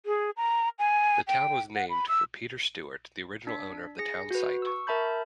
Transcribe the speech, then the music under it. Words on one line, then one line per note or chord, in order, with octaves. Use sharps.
The town was named for Peter Stuart, the original owner of the town site.
G#4
A#5
G#5
G5
F#5
B5
E6
D4 B6
G#4 A#6 C#7
F#4 B4
C#6 E6
A#4 E5 A5 B5 G6